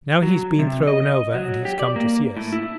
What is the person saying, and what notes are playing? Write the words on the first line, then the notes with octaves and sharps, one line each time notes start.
Now he's been thrown over and he's come to see us.
F#3
C3
D#5
F#3
G4
D5
A#3
A2
E4